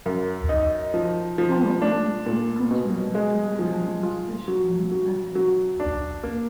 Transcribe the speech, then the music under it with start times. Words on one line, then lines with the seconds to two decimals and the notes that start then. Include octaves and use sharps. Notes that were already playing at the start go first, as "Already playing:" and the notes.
However, the group continued to rely on session bassists.
0.06 F#2
0.49 D#4
0.94 F3
1.38 F3
1.82 D4
2.26 A#2
2.71 B2
3.15 G#3
3.59 F3
4.03 F4
4.48 F#3
4.92 F#3
5.35 F#3
5.80 D4
6.23 A#3